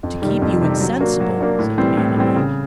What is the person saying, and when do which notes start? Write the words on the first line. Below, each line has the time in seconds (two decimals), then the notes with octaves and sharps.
"To keep you insensible," said the man in yellow.
0.03 F2
0.22 C3 D#3 G3
0.42 F2
0.62 C3 D#3 G3
0.80 F#3
1.00 A#3 D4 F#4
1.20 F#3
1.39 A#3 D4 F#4
1.59 A2
1.78 E3 G3 C4
1.97 A2
2.17 E3 G3 C4
2.36 C#3